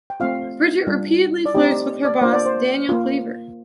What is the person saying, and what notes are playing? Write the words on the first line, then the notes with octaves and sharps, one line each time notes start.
Bridget repeatedly flirts with her boss, Daniel Cleaver.
G5
A3 C4 F4 F5
G3 D4 F4
D5
A3 C4 D#4 G4 D#5
D5
D5
A#3 D4 F4 C5
D5
C5
A#3 F4